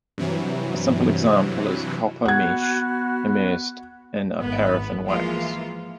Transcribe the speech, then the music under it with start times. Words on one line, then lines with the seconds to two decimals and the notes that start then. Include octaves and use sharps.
A simple example is a copper-mesh immersed in a paraffin-wax.
0.18 G2 C3 E3 F#3
2.25 B3 F#4 F#5 G#6
4.39 G#1 B3 B4
5.06 E3 F3 G#3 A#3 F4